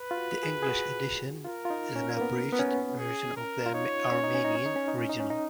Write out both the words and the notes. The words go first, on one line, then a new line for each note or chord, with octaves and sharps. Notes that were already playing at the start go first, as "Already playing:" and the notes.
The English edition is an abridged version of the Armenian original.
Already playing: B4
F4
F#4
G#4
G#4
F#4
F4 A#4
F4
D#4
C#4
A#3
B3
B3
C#4
G#4
A#4
F4
D#4 C#5
C#4
D#4
C#4
D#4
C#4
D#4
C#4
D#4
C#4
D#4
C#4
D#4